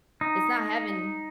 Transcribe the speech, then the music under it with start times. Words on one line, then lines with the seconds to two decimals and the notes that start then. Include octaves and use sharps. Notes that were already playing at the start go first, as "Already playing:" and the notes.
It's not heaven.
0.21 D#4